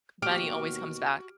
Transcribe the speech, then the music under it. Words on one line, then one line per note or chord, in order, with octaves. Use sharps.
money always comes back?
D#2 B2 F#4 G4 F6 D7